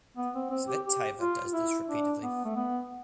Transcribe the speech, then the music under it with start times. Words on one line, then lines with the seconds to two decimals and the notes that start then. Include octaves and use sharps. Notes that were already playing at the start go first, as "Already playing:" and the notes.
Tsvetaeva does this repeatedly.
0.17 B3
0.35 C4
0.51 C4
0.68 G4
0.85 G4
1.20 F4
1.53 E4
1.88 D4
2.22 B3
2.45 A3
2.56 B3